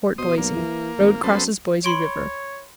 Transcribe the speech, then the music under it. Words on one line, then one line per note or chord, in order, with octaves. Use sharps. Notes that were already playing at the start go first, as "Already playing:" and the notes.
Fort Boise.--Road crosses Boise River.
B2 C5 D#6
B1 A#3
E3
G#1
F#2 B3 A4 C5
C#5 B5 C6 D7